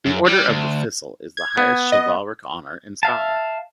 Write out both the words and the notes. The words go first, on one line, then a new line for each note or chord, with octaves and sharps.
The Order of the Thistle is the highest chivalric honour in Scotland.
F#2
G3
D2
G#6
B3
D#5
E5 F5 A5